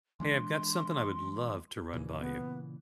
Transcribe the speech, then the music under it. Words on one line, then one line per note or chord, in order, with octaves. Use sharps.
Hey, I've got something I would love to run by you.
E3 G#3 D4 C6
A#2 C#3 E3
B3